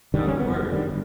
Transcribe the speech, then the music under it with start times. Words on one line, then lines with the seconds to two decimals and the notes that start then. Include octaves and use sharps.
"Not a word."
0.14 D3 D#3 G3
0.25 D#1 G3 C#4
0.39 D#1 B3
0.50 F#1 B2
0.72 G#1 G2 D#3 G3
0.85 G1